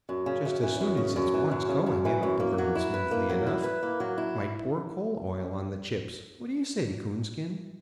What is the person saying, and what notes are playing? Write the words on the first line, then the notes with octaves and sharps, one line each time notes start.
"Just as soon as it's once going, it ought to burn smoothly enough--might pour coal oil on the chips. What do you say, Coonskin?"
F#2
C#3
F#2
E3
F#2
C#3
F#2
E3
F#2
C#3
F#2
E3
F#2
A#3
F#3
E4
B4
A#3
F#3
E4
B4
A#3
F#3
E4